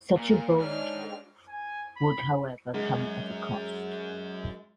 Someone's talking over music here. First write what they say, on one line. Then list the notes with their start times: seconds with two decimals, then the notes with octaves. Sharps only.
Such a bold move would however come at a cost.
0.17 A#2 A#4
0.58 G#2 D4 C#5 F6
1.49 G#5
1.97 B5
2.74 F#2 G#3